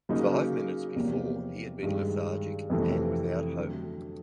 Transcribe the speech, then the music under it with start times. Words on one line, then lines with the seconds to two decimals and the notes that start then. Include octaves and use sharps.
Five minutes before, he had been lethargic and without hope.
0.09 C#3 F#3 A#3 D#4
0.96 E2 C3 F3 A#3
1.83 G2 D#3 G#3
2.70 F2 C3 E3 A3
3.58 D3 F#3 A3